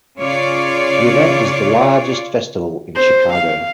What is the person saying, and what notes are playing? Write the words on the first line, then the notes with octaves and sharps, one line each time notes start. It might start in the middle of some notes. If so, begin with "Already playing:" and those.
The event is the largest festival in Chicago.
C#3 F4 C#5 D5
C5
F5